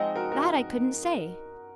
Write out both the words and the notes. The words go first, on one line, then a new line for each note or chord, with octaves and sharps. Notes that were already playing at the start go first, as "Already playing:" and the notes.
"That I couldn't say."
Already playing: F3 G#3 C4 D#4 D#5 F#5
F#4 A#4
F#4 A#4